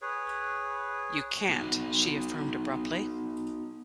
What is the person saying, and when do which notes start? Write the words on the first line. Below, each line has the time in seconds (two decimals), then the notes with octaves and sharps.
"You can't," she affirmed abruptly.
0.02 G#4 B4 C#5
1.49 B3 D#4 F#4